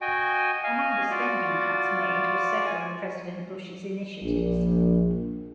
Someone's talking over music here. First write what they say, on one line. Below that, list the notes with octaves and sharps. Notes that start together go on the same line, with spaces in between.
Among the spending cuts made were several of President Bush's initiatives.
F#4 D#5 G5 G#5
D#5 F5 G#5
F4 F#4 D5
G#5
A#1